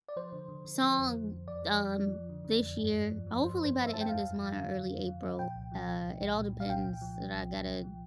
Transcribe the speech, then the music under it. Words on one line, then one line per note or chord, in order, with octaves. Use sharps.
song, um, this year, hopefully, by the end of this month or early April, uh, it all depends that I gotta
D5
F3 C5
D3
D3
D3
F3
F2
F3
F2
F2 D5
F3
F2
F3
F3
D3
D3
F2
G2
G2
F3
F3
G2 C5
G2
C5
G2
E5
G2 A5
G5
F2 F5
F2
F3
D3
F3
F2
F3
F3
A#2 G5
C2
F3
C2
C2
C2
A#2
A#2
F5
C2 G5
C2
F3
C2
C2
C2
C2
F3